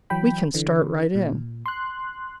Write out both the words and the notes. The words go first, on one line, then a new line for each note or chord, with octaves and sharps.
"We can start right in."
E3 F#3 G5 B5
D3 E3
A#2
C6 F#6